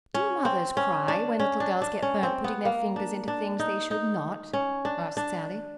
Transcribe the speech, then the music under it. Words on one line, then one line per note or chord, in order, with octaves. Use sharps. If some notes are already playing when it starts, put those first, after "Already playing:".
"Do mothers cry when little girls get burnt putting their fingers into things they should not?" asked Sallie.
C#4
C4
C#4
D4
C#4
D4
D4
C#4
C4
B3
A#3
D4
D4
D#4
D#4
C#4
D4
D4